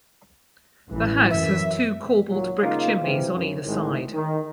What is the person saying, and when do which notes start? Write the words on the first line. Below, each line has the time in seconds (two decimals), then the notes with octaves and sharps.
The house has two corbelled brick chimneys on either side.
0.89 A1 E3
1.31 F#2 E3 E5
2.29 D#2 A#2 F#3
2.61 C#3 A#3 D#4 F4
3.01 G#2 C3 E3 F3
3.34 F#2
3.65 G#1 A2 D#3 G#3
4.13 D#3